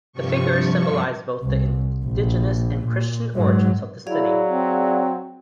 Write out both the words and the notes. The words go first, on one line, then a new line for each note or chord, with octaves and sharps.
The figures symbolize both the indigenous and Christian origins of this city.
G2 C3 F3 C#6
C2
A#1
A#2
G#2 F#3
F#3 E4 G#4 D5 F5
C4